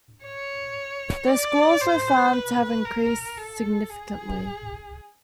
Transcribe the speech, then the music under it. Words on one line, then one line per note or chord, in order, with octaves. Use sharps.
Their scores were found to have increased significantly.
C#5
D5
C5
B4
A#4
A4
G#4